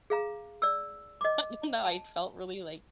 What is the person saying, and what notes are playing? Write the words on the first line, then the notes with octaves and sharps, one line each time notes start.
I don't know, I felt really, like
G#4 F5 A#5
D5 E6
D#5 D6
A5